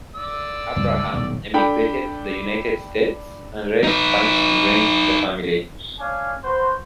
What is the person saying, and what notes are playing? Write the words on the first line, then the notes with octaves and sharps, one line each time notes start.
Abraham emigrated to the United States and raised funds to bring the family.
D5 E6
C#2 G2 A#3
D2
D#1 B1 A2
D4 A4 G5 B5
D#4 B4
D4 C#5 F5 G#5
F#4 B4 C5